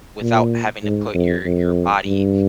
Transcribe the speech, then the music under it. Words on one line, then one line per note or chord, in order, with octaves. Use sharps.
without having to put your your body,
A#2
G#2
F2
F2
G2